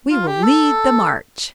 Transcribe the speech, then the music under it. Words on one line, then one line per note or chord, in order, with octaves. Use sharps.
"We will lead the march."
F4
G4
A4